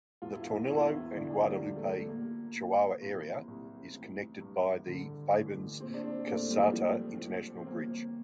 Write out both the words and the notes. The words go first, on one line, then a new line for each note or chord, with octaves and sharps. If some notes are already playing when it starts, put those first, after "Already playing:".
The Tornillo and Guadalupe, Chihuahua, area is connected by the Fabens-Caseta International Bridge.
E1 F4
E4
F4
E2 E4
F4
E4
D3 D4
F3
G3
E1
A3
A#2 A#3
A#2
C2
C2
A1
G2
D3
A1
A#2 C4
D4
C4
A#2 A3
G3
F3
G3
A#1 F3
A#1
C4
G1 A#3